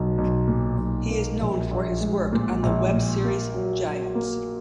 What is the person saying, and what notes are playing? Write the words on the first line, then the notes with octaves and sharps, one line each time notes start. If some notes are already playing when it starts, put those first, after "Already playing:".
He is known for his work on the web series "Giants".
Already playing: B1 F#3
B1
A#2
B1
A#3
A#1
A#1
G#3
A#2
A#1
A#2
A#3
F#3
F#3
A#3